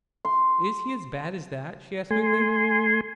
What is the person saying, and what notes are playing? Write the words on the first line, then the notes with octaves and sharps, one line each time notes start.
"Is he as bad as that?" she asked quickly.
C6
A3 G#5 C6